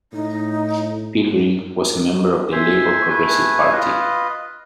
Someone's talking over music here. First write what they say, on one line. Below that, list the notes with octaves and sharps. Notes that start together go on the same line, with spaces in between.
Pilgrim was a member of the Labour Progressive Party.
A2 D#4
C5 E5 G#5 C6
A3 B4 G#5
F4 B4 D#5